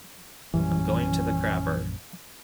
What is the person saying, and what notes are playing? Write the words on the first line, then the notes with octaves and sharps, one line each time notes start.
"I'm going to the crapper".
A#1 F#2 E3 G3 C#4